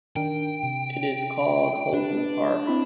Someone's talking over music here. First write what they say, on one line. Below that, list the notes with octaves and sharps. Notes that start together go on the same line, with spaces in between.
It is called Holden Park.
D#3 D4 A#4 G5
C3
D4 G4 B4
C4 E4 B5